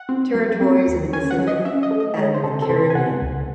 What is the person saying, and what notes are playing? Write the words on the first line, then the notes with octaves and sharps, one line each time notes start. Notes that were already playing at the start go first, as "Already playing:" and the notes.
Territories in the Pacific and the Caribbean.
Already playing: F#5
C4
F#3
C4
D#2
C#4 G#5
F#5
F#3
D#5
C#4 E5
D#5
A3
D#5
G#3 C#5
C5
C3 A4
A4
C3 C5
G#5
C3 F#5
C#2